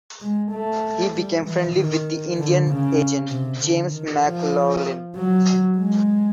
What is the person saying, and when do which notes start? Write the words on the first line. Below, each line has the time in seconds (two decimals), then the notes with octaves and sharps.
He became friendly with the Indian Agent, James McLaughlin.
0.21 G#3
0.52 A3
1.14 G3
1.45 E3
1.76 D#3
2.38 D3
2.69 C#3
3.30 C3
3.61 D3
3.92 D#3
4.23 F3
5.16 F#3
5.78 G#3